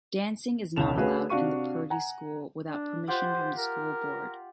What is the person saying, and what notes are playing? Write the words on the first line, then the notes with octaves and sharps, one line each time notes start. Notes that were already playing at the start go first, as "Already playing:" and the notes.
Dancing is not allowed in the Purdy school without permission from the school board.
E1 C#2 C#4 A5 E7 F7
A3 C#4 F#4 G#4 B4 F5
C3 D4 F#4 F5 C#6 D#7
F#5 G#5 A#5
D4
F4 G4 C5 F#5
A#4